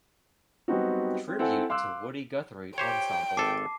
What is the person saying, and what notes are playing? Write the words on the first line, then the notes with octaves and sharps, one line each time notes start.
Tribute to Woody Guthrie ensemble.
F#3 G3 B3 C4 D#4 F#4
C4
C4 E4 A4 F#5 G#5
F5 C6 D6 E6 F#6
G4 C5 C#5 G5
G#1 A4 A5 D6 C7